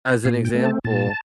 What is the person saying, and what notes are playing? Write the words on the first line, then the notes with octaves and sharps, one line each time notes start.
as an example
A#2 F5
G5
A3 C4
A5
A#2 A5